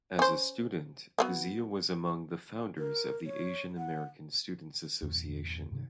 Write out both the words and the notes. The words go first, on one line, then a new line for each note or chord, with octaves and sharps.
As a student, Zia was among the founders of the Asian American Students Association.
C#4 C5
F#3 A3 B3
A#4
C#5
F#5
E2 G2 A#2
G2 C3 D#3 G3